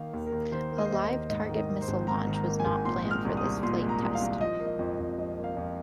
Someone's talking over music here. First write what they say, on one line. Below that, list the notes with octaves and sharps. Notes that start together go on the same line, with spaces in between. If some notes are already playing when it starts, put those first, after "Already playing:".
A live target missile launch was not planned for this flight test.
Already playing: D#3 A#3 F5
D#2
A#4
D#2
D#3 C5
A#3
D#5
C5
D#2 D#5
D#5
D#2
G#2 D#5
D#3
D#5
A#3
C5
G#1
G#2 A#5
D#3
A#5
A#3
G#5
G#1
A#2 C6
G#3
F6
C2
D#6
C2
A#2 C6
G#3
A#5
C2
F5
C2
F3 D#5
A#3
D#5
F2
F2
F3 D#5
A#3
F5
F2